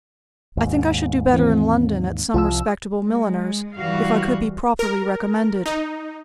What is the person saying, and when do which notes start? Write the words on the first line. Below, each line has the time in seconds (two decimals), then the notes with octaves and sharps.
I think I should do better in London; at some respectable milliner's, if I could be properly recommended.
0.57 D#2 G#2
1.33 E3 C4
2.34 C2 F3 F4 E6
3.05 G#3
3.77 E3 G3 F#4 F5
4.79 A#4
5.66 D#4